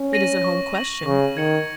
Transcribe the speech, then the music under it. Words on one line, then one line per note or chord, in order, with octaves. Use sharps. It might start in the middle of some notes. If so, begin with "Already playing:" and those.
'It is a home question.
Already playing: C#4
A#6 D#7 F#7
C#6
A#6 D#7 F#7
C#3 C#6
D#3 G#6 C#7 F#7